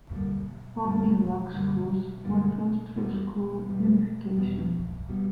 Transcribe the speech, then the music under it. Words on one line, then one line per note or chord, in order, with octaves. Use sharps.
Pawnee Rock schools were closed through school unification.
F#2 D3 G3 A#3
F#2 D3 G3 A#3
F#2 D3 G3 A#3
F#2 D3 G3 A#3
E2 B2 G3
E2 B2 G3
E2 B2 G3
B2 G3